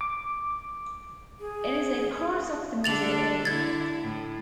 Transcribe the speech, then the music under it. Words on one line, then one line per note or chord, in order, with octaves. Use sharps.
It is a part of the middle ear.
D6
G#4
D3 D4 A4 A6 F7 F#7
D3 E4 G#6 A6
A2